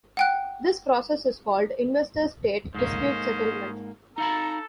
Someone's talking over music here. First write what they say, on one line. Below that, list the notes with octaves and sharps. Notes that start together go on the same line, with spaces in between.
This process is called investor-state dispute settlement.
F#5 G5 F#6
G#2 A#3 C#4 C5 D#5
D#4 A4 F5 A#5 B5